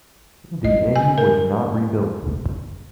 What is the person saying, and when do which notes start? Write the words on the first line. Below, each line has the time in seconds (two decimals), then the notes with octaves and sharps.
The inn was not rebuilt.
0.65 D#5
0.96 G#5
1.18 A#4